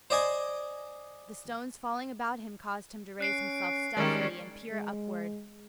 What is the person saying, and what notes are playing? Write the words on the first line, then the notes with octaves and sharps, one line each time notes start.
The stones falling about him caused him to raise himself stealthily and peer upward.
C5 D5 D#5 G#5
C#4 F#6 C7 D7
D#3 G3 G#3 C#4 A#4 D5
G#3